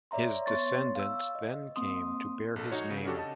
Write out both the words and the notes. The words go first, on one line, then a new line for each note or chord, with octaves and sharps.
His descendants then came to bear his name.
C#5 D5 E5 A#5 C6
B3 C#5 C6 C#6 A6
F5 E6
D#5
A#3 C4 C6 D#6
A#1 A4
D#4 F#4 C#5
C#3
C#3 C#4 D4 F#4 G4 A4
D#5 A5